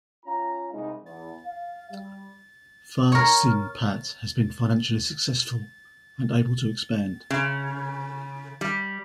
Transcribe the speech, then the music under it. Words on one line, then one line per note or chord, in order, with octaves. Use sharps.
FaSinPat has been financially successful and able to expand.
C#4 F4 F5 A#5
C2 G#3 D#4
E2
F5
G3
A#4 C#5
C#3
G3